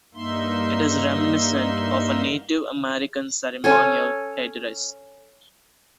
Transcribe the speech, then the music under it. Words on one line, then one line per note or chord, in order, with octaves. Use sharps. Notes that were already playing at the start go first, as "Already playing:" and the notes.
It is reminiscent of a Native American ceremonial headdress.
G2 A#3 D#4 E5 C6
C#4 A4 G#5